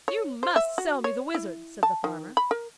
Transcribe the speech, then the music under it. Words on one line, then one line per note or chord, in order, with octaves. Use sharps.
'You MUST sell me the wizard,' said the farmer.
C#5
C5
E5
F#4
C#5
E4
A5
D#3
B5
A#4